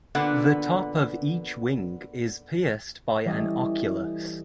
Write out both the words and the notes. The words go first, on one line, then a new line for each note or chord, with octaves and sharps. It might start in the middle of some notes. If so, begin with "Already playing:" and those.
The top of each wing is pierced by an oculus.
A#2 D3 B3 D4 F#5
E3 G3 C#4 A4 D#5